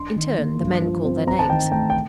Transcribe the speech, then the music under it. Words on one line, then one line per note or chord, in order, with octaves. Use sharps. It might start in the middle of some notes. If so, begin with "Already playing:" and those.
In turn the men called their names.
Already playing: D4 C6
D#3
A#3
G2
F3
C4
C4 A#5
A5
D#3 G5
A3 G5
G5